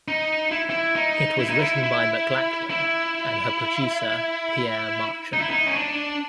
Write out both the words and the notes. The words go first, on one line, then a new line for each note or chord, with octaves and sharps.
It was written by McLachlan and her producer Pierre Marchand.
D#4
E4
E4
D#4
E4
D#4
E4
E4
E4
D#4
E4
D#4
C#4
D4